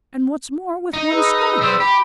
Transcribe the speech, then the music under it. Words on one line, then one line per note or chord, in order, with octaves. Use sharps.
And what's more,--with one scull gone.
D#4
G#4 B4 E6
G3 C5
G4 B5